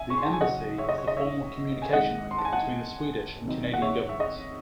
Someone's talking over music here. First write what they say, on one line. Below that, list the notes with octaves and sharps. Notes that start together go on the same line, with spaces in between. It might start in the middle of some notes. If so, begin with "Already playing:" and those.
The embassy is the formal communication link between the Swedish and Canadian governments.
Already playing: C3 E5 G#5
C#6
C6
A5
G#5
C#3 F#3 C#4 D#5 F#5
C#5 E5
D#5
C#5
D#5
C#5 E5
G#5
D#3 G#3 C4 D#4 D#5 F#5
C6
A5
G#5
F#5 A5
C3 D#3 F#3 C4 D#4
F#5
C#5 E5
E5
D#5